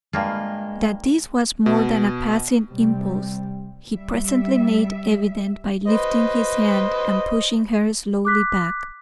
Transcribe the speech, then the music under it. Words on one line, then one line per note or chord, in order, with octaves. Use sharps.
That this was more than a passing impulse he presently made evident by lifting his hand and pushing her slowly back.
G2 G#3 A#3 F4
B2
C3 G3
G3 E5
B4 C5 D#5
D6 F#6 B6